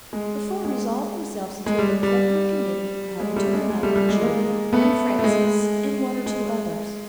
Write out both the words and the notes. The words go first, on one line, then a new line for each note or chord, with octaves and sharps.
The four resolved themselves into an executive committee, adding to their number Julia, and Frances and one or two others.
G#3
G#3
G#3
G3
G3
G#3
G3 A3
G#3
G#3
G3 A3
G3
G#3
G#3 A#3
A3 B3
A3
G#3
G#3